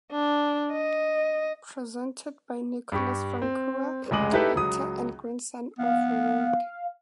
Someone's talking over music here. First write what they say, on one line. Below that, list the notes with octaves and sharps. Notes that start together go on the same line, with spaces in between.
Presented by Nicholas Frankau, actor and grandson of Ronald.
D4
D#5
G2 G4 C#6
C4
F1 C#2 G#3 D#5 D6 F#7
D#4 E4 G4 A4 B4 E5
C#2 F#3 D#6
B3 F5